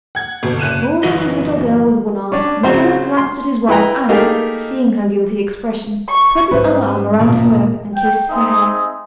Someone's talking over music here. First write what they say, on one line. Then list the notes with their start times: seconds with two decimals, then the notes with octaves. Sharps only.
Holding his little girl with one arm, Nicholas glanced at his wife and, seeing her guilty expression, put his other arm around her and kissed her hair.
0.15 F#5 G#6
0.43 G1 B2
0.59 F#1 F#6 D#7 E7
1.03 F#2 E3 F#3 E4 B4 D#5
2.32 C#4 D4
2.63 C#3 F#3 C4 C5
3.17 C6
3.69 E4 B4 G5 A#5
4.09 A3 A#3 D#4 G4 G#4 A#4
6.09 C#6
6.51 G#2 G3 C#4 B4 C5 E5
7.19 E1 A#2
7.94 G5
8.30 C4 D#4 G#4 E5 D#6